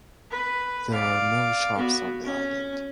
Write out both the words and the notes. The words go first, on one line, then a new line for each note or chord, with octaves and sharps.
There are no shops on the island.
B4
D5 F5
B3 F#4
C#4